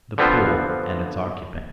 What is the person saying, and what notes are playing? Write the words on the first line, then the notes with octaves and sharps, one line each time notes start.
The pool--and its occupant.
D3 F3 B3 C4 F4 C5